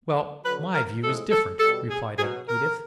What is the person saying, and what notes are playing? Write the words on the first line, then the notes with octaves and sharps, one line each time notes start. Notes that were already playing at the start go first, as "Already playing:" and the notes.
"Well, my view is different," replied Edith.
D3 F#3 B4
A#4
A2 F3 G#3 A4
A4
B2 G3 A4
G#4
B2 F#3 G#4
A#4